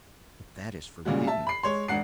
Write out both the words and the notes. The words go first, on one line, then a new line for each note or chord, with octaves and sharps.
But that is forbidden!
A#2 C#3 G3 G#3 F#4
E5 A5
B5 C7
G#3 C#5 C6
E1 G#2 D4 F#5 C7